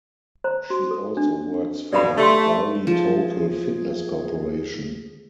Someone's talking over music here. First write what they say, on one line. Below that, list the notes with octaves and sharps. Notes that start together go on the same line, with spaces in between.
She also works for Bally Total Fitness Corporation.
C5 A#5
F#4
A4
D4
G2 B2 D5 F5 B5
A3 G4 C6
F3 G#4 A5